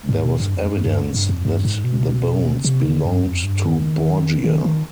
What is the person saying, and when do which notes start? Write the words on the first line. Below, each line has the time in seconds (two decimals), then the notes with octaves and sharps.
There was evidence that the bones belonged to Borgia.
0.09 G#2
0.24 B2
0.40 G2
0.55 F2
0.70 G2
0.85 G2
1.15 G2
1.29 F2
1.45 G2
1.65 G#2
1.84 B2
2.65 C3
2.85 D3
3.05 G2
3.25 F2
3.44 G2
3.65 D#3
4.44 D#3
4.65 D#3